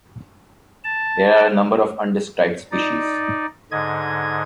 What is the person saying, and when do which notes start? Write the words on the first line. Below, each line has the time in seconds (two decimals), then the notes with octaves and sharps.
There are a number of undescribed species.
0.84 A5
2.71 D#4 D5
3.71 G#2 D3 D#5 G#6